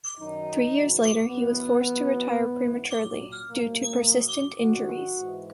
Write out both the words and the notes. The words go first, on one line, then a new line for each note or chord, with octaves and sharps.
Three years later, he was forced to retire prematurely, due to persistent injuries.
F#2 D#3 F#3 D#4
E2 B2 F#3
F#2 E3 B3
E2 B2 F#3
G#2 E3
A#2 F#3
G#2 F#3 A#3
F#2 C#3 F#3
G#2 D#3 F#3 F#4
G#2 E3